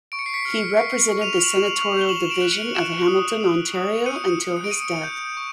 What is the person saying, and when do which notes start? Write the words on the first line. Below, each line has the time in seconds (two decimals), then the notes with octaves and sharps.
He represented the senatorial division of Hamilton, Ontario, until his death.
0.12 C#6 D7
0.19 C#7
0.26 C7
0.33 B6 C#7
0.45 F6
0.77 C#6 C7 D7
1.11 C#6
1.21 D#7 F7
1.44 C#6 E7 F#7
1.77 C#6
2.01 G7
2.08 C#6 E7 F#7
2.30 D7 E7
2.41 F#6
2.52 C#7 D#7
2.75 F#6 D7 E7
3.08 D#6
3.41 D#6
3.72 D#6
4.05 G6 C#7 D#7
4.39 D#6
4.57 C#7
4.64 D7
4.71 D#6 C#7 D#7
5.04 G6
5.37 C#6